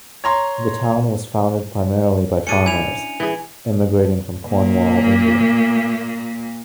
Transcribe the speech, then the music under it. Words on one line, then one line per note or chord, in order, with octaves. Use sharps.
The town was founded primarily by farmers immigrating from Cornwall, England.
C#5 A#5 C6
C#4 D4 G#4 C#7 D#7
E4 G#5 F7
E3 G#4
A#2 A#3